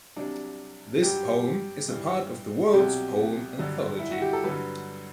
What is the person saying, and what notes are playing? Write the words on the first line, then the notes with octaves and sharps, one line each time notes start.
This poem is a part of the world's poem anthology.
C2 C3 F#3 D4
G2 F#3 G4
G2 E3
C2 B2 F#3 G4
G2 D3 F#3
E4
F#4
G4
A4
G2 D3 F#3 B4